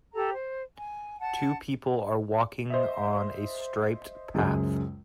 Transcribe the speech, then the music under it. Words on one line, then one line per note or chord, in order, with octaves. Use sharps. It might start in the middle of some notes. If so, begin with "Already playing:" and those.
Two people are walking on a striped path.
G4 A4 G5 A#5
C5
G#5
F#5 A5
C5 D#5 E5
C#2 F#2 G#3